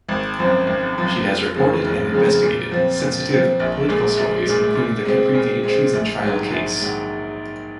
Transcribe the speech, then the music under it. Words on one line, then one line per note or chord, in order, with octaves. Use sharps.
She has reported and investigated sensitive political stories including the Caprivi treason trial case.
G#1
F#2 F3 C4
G#1
F#2 F3 C4
F1
F2 C#3 F3 G#3
F1
F2 C#3 F3 G#3
A#2
F3 C4
A#2
F3 C4
A#1
A#2 G#3
A#1
A#2 G#3
A#2
G#3 C4
A#2
G#3 C4
A#1
G#2 D#3 F#3
A#1
G#2 D#3 F#3